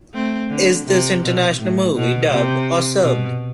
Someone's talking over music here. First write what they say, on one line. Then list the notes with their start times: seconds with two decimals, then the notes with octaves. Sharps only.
Is this international movie dubbed or subbed?
0.14 A3 C4
0.50 D3
0.86 C3
1.23 B2
1.58 A2
1.95 B2
2.30 C3
3.02 B2